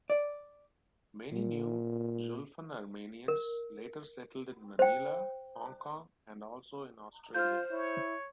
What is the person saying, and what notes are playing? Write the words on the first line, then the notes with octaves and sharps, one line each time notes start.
Many New Julfan Armenians later settled in Manila, Hong Kong, and also in Australia.
D5
A#2
A#4
C5 G5
F4 C5 F6 G6
E4 C#5